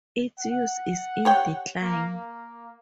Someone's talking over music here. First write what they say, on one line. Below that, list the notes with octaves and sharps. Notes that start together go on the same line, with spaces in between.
Its use is in decline.
F#5
G4 C#5 G5
A#3
A#3